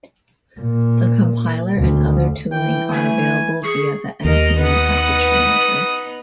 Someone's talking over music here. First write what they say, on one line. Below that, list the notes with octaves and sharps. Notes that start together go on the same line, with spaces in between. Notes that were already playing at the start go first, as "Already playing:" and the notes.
The compiler and other tooling are available via the npm package manager.
A#2
D2
E3 G5
A3 G#5
G#4 C#6
D#2 D#4 A#4 D#5
B3 D#4 B4 F#5 D#6